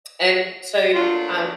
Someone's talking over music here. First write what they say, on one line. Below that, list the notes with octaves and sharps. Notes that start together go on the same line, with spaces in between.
And so, um,
A#2 F#3 A3 D4 F4